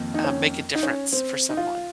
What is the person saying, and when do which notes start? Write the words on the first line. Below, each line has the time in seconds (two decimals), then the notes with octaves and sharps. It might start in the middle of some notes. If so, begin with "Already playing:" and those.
uh, make a difference for someone?
Already playing: F2 D#3 A#3
0.14 D#4
0.24 C#4
0.75 D#4
0.83 C#4
1.12 C4
1.49 D#4
1.57 F4